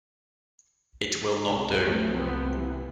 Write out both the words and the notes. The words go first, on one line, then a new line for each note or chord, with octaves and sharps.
It will not do.
C2 C3
F2 F#3 A3 C#4
C2 F3 B3 C4
C3 E3